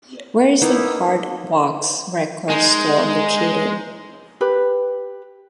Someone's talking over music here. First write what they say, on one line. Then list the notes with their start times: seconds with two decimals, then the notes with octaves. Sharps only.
Where is the "Hardwax" record store located?
0.62 A#3 B3 D#4 E4
2.50 G#3 D#4 G#5
4.41 G4 B4